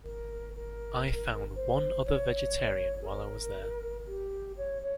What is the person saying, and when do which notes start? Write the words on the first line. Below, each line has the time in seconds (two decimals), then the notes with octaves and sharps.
I found one other vegetarian while I was there.
0.04 A#4
0.55 A#4
1.55 C5
2.05 C#5
3.01 G#4
3.06 A#4
4.07 G4
4.57 C#5
4.82 C#5